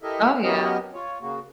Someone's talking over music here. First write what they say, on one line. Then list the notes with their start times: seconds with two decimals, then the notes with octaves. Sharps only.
Oh, yeah.
0.03 E4 G4 A4 A#4 D#5 E5
0.43 F#3 B3 C#4 G4 A#4 D#5
0.94 F4 C#5
1.21 C#3 A#3 F#4